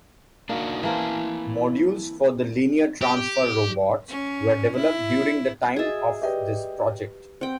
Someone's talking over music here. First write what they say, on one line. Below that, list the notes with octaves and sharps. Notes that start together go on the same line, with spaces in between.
Modules for the linear transfer robots were developed during the time of this project.
A#3 D4 D#4 F#4
E3 A#3 C4 E4 G#5 A5
G4
C#4
E4
F#4 G#4 D#5 E5 A6
G4 B4 D5 D#5 G5
C4 F#5 G5